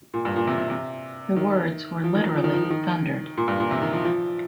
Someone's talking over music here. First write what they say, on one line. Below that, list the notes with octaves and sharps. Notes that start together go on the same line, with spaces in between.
The words were literally thundered.
A#2
G2
A#2
C3
C3
C3
D#3
F3
D#3
F3
D#3
F3
F3
D#3
A#2
G2
A#2
C3
D#3
F3
F3